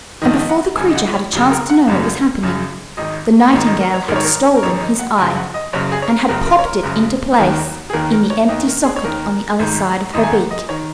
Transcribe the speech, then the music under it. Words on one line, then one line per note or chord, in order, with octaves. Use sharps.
And before the creature had a chance to know what was happening, the Nightingale had stolen his eye, and had popped it into place in the empty socket on the other side of her beak.
A#1 G#2 D#3 D#5
D#5
F#5
G#1 F#2 C#3 G#5
D#5
F#5
C#5
G#1 F#2 C#3
A#4
F#5
G#1 F#2 C#3
G#1 F#2 C#3
G#1 G#2 D#3 D#5
G#1 G#2 D#3 C#5
D#5
A#4
C#5
G#1 G#2 D#3 A#4
C#5
A#4
A#4
G#1 G#2 D#3 C#5
D#5
F#5
F#1 F#2 C#3 G#5
F#5
D#5
F#1 F#2 C#3 C#5
G#4
C#5
A#4
F#1 F#2 C#3 A#4
A#4
C#5
A#4
F#1 F#2 C#3
D#2 D#3 A#4
G#4
D#2 D#3 A#4
A#4
C#5
D#2 D#3 D#5
A#4
G#4
C#5
D#2 D#3 A#4
G#1 G#2 D#3
G#1 G#2 D#3 D#5
G#5
F#5
D#5
D#3 C#5